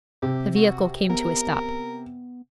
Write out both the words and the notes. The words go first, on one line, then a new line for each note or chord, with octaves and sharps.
The vehicle came to a stop.
C3 G4
F#4
B3 A#4